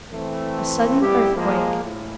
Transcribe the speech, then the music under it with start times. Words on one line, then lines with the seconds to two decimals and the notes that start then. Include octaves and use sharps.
A sudden earthquake.
0.12 E3 A3 C4
1.01 G3 B3 C4 E4 G4
1.36 F3 G#3 A#3
1.83 A2